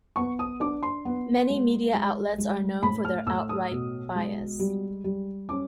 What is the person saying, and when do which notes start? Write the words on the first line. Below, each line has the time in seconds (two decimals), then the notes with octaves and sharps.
Many media outlets are known for their outright bias.
0.16 B3 C#6
0.39 D#6
0.60 D4 D6
0.83 C6
1.05 B3
1.49 G#3
1.94 G#3
2.38 G#3
2.83 A2 B5
3.05 F6
3.26 A2 E6
3.49 D#6
3.71 B2
4.15 G#3
4.59 G3
5.04 G3
5.49 C#4 D6